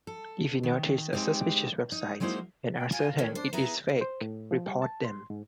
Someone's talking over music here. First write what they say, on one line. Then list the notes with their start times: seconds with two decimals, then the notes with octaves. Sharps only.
If you notice a suspicious website and are certain it is fake, report them.
0.07 A4
0.63 D#3
1.13 G#3 C4 D#4 G4
1.92 D#4
2.20 F#3 G#3 A#3 D#4 E4 C5
2.76 G5
2.92 F4 G#5
3.18 D#2 D3 D#3 C#5
3.35 D4 C5
3.53 B3 E4 G#4 A#5
4.01 C5
4.21 A2
4.51 F3
4.66 G3
4.82 A5
5.05 C6
5.30 G#2